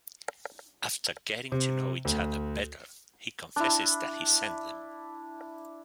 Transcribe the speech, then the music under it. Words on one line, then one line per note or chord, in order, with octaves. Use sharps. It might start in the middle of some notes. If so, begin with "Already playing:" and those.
After getting to know each other better, he confesses that he sent them.
C3
D2
D4 E4